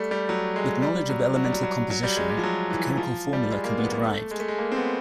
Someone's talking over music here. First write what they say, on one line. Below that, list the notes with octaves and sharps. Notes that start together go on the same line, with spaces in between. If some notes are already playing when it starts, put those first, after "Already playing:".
With knowledge of elemental composition a chemical formula can be derived.
Already playing: G3 A3
G3
F#3
G#3
G3
F#3
F#3
G3
F#3
F#3
F#3
G3
G#3
G3
F3
F#3
E3
F3
G3
G#3
A#3
B3
A#3
A3
G#3
A3
G#3
A#3
C4
B3